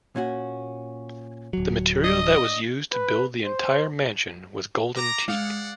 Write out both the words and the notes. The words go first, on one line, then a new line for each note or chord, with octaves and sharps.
The material that was used to build the entire mansion was golden teak.
A#2 C#4 F#4
D1 F#3
D4 D#5
B4
C5
A#5 D6
G#3 D5 F5 F#5 C#7